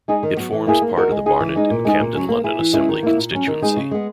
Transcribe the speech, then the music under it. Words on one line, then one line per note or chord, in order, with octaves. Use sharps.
It forms part of the Barnet and Camden London Assembly constituency.
G#3 D#4 G#4
D#3
F#3 B3
E3
A#3 E4 G#4
A#3
D#4 F#4 A#4
G#3
D#4 G#4
E3
G#3 D#4
A#2
G#3 D#4 G#4
A#2
F#3 C#4
A#3
E4 G#4 B4
E3
G#3 C#4 E4 B4
D#3
A#3 E4
A#2
F#3 C#4
D#3
G#3 D#4 G#4 B4
C#3
G#3 B3